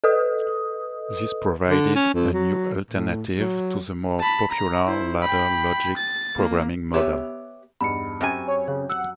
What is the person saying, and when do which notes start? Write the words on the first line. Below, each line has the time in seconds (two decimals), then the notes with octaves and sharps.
This provided a new alternative to the more popular ladder logic programming model.
0.04 A4 B4 D#5 D#6
1.70 D3
1.95 C#4
2.14 F2
2.33 F#3
2.90 A2
3.37 F#3
4.19 A5 B5
4.50 A#5
4.87 E4 C5
5.22 G5 B5
5.97 A6
6.37 A#3
6.94 B3 G4 B4 C#5 E5
7.81 E2 G2 D#4 B5 C#7
8.21 F#2 C4 G4 G5 G#5
8.48 C#5
8.68 C#3 C#5
8.90 F#5 E6